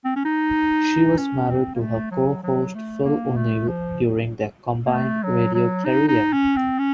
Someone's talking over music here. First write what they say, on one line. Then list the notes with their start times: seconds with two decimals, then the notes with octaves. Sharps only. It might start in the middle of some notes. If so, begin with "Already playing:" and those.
She was married to her co host Phil O'Neil during their combined radio career.
0.05 C4
0.16 C#4
0.25 D#4
1.18 C#4
1.49 C4
1.75 A#3
1.80 A3
2.11 F#3
2.43 F#3
2.75 A3
3.05 A#3
3.36 A3
3.68 F3
4.86 A#3
4.93 A3
5.23 F#3
5.55 F#3
5.85 D#4
6.08 D#4
6.33 C#4
6.56 C4
6.79 C#4